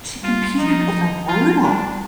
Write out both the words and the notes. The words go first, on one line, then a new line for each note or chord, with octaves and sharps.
she competed over Wordle,
G3 F4
F3 D#4
F3 F4
G3 D4